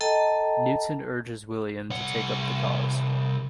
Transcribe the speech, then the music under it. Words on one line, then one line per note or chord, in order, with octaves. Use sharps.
Newton urges William to take up the cause.
A4 D#5 G5 A5 A#5
C2 F#5